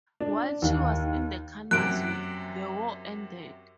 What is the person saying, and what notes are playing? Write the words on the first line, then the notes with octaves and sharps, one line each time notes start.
While she was in the Canal Zone, the war ended.
D4
D#2
F#2 C3 F#6 D7